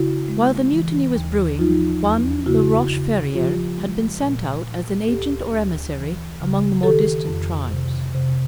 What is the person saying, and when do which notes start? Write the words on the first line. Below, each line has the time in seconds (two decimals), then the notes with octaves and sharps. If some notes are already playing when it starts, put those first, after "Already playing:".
While the mutiny was brewing, one La Roche Ferriere had been sent out as an agent or emissary among the more distant tribes.
Already playing: C#3 E4 F#4
0.29 G#3
0.72 E3
1.15 D#2
1.59 F3 D#4 F4
2.03 E2
2.46 C#3 E4 F#4
2.91 C#3
3.34 F3 F4 G4
3.78 G#3
4.21 A#2
4.65 A#2
5.08 D2 G4 A4
5.52 D2
5.96 E3
6.40 C#3
6.83 D#3 G4 A4
7.27 F2
7.71 C3
8.14 C3